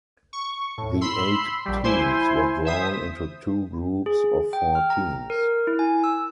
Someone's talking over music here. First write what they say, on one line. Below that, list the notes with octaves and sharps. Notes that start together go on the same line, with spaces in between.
The eight teams were drawn into two groups of four teams.
C#6
A2
B5 C6 E6 C7
A#1 G3
E4 C5 G#5 C6
C5 E5 D#6
G#4
G5
F6
A#5
A#4
E4
G#5
E6